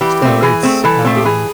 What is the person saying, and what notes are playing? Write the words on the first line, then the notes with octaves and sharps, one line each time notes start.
So it's, um
E3 G4
A3 C4
E3 G#4
A3 C4
E3 A4
A3 C4
G4
E3 G#4